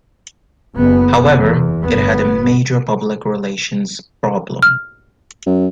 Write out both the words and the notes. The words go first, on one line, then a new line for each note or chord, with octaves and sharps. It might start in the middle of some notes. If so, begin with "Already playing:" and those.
However, it had a major public relations problem.
F#1 B3
E2
G1 B3
F6
F#2